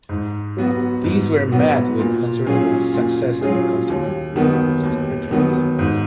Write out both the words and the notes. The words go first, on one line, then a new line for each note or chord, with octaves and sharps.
These were met with considerable success and consequent reprints.
G#2
F#3 B3 F#4
G#2
F#3 B3 F#4
A#2
F#3 C#4 F4 G#4
A#2
F#3 C#4 F4 G#4
D#2
D#3 F#3 B3
D#2
D#3 F#3 B3
G#2